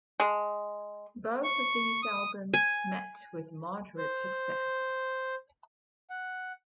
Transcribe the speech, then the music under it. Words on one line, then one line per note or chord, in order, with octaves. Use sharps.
Both of these albums met with moderate success.
G#3
C#6
D#6
G#5
C5
F#5